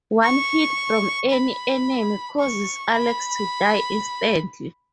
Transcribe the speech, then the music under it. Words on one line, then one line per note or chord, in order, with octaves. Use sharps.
One hit from any enemy causes Alex to die instantly.
C#6
B5
C#6
B5